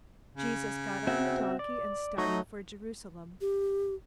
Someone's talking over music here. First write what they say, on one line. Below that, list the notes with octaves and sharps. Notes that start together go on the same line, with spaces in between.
Jesus got on the donkey, and started for Jerusalem.
C#3
C4 F#4 E5
D5
F#3 A3 D#4 C#6
G4